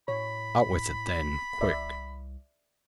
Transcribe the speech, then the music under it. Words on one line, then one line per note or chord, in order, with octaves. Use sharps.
'Out with it then, quick!
A2 C#5 B5
C2 D5 E5